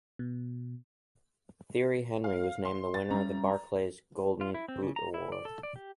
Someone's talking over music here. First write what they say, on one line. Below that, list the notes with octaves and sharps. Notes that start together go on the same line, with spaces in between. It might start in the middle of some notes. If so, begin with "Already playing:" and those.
Thierry Henry was named the winner of the Barclays Golden Boot Award.
B2
F5
C6
A6
G3 C#4 A#5
F4
E4
C4
C#3
A#5
E4
D5
A4
D5
G4